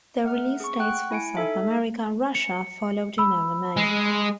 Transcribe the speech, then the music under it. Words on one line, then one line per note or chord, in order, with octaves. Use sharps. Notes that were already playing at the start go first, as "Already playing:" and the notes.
The release dates for South America and Russia followed in early May.
A3 F#5 F6
G#4 C#6
F#5 G5 C#6 F#6
E4 G#5 C#7 D7
D#4 A4 E5
C#7
B5 E6
G#3